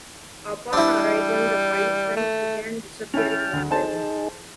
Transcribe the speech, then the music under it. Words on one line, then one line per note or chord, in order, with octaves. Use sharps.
Upon arrival, the five friends begin disappearing one by one.
G3 D4 E4
A3
C#4 E4 G5 A5 F6
D2
D#4 G#4 A4 C5 A5